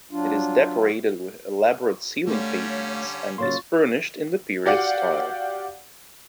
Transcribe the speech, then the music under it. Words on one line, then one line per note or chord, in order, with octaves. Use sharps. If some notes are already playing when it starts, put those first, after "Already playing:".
It is decorated with elaborate ceiling paintings and is furnished in the period style.
F#3 D4 F4
D3 G3 A3 C#4 C#5 F5
C#3 F#3 A#3 F4 C6 C#6 A6
F#4 G4 D5 F5 F#5